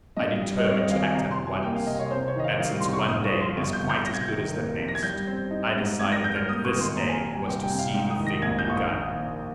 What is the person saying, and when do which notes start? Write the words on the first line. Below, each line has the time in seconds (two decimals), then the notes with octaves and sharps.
I determined to act at once; and since one day is quite as good as the next, I decided that this day was to see the thing begun.
0.17 G2 D#5
0.42 G3
0.57 D#5
0.65 C4 C#5
0.78 D#5
0.90 G#1 F5
1.02 G#5
1.14 C3 A#5
1.31 C6
1.38 G3
1.47 G#5
1.63 A#3 G5
1.76 F5
1.86 C2 D#5
1.99 C#5
2.11 C3 C5
2.28 C#5
2.36 D#3 D#5
2.44 F5
2.60 G3 F5
2.80 C2 C6
2.93 C#6
3.08 G2 D#6
3.25 C#6
3.33 F3
3.41 C6
3.57 G1 C#6
3.73 G6
3.82 G1
3.90 G6
4.06 C3 A#6
4.14 G#6
4.21 G6
4.28 D#3 G#6
4.54 A#3
4.78 F2
4.88 A#6
4.95 G#6
5.03 G3 G6
5.27 C4
5.51 D#4
5.76 G#2
5.99 G#2 G#6
6.12 A#6
6.24 G3 G6
6.36 F6
6.48 A#3 D#6
6.65 C#6
6.73 G#1
6.80 C6
6.96 A#2 A#5
7.09 G#5
7.21 G3 A#5
7.33 G#5
7.46 C2 G5
7.61 G5
7.70 C2
7.79 F5
7.94 G#2 G5
8.10 D#6
8.19 D#3
8.26 A#6
8.42 A#1 G#6
8.59 G6
8.67 A#1 C#6
8.76 D#6
8.91 D#3
9.15 A#3